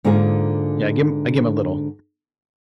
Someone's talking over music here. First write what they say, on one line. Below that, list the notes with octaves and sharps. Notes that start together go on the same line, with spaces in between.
Yeah, I give him I give him a little.
G#2 D3 A#3 F4 G#4